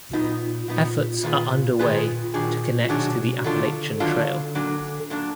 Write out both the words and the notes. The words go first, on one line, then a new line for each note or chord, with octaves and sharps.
Efforts are under way to connect to the Appalachian Trail.
A#2 F#3 B3 D#4
A#2 F#3 B3 D#4
A#2 D#3 A#3 F4 G#4 B4
D#3 A#3 F4 G#4 B4
A#2 D#3 F#3 D4 G#4
B2 D#3 F#3 D4 G#4
D3 D#3 F#3 D4 F4
D3 D#3 F#3 D4 F4
A#2 F#3 D4
A#2 F#3 D4